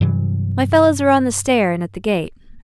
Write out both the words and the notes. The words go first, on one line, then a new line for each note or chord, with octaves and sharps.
'My fellows are on the stair and at the gate.
G2 C3 E3 F#3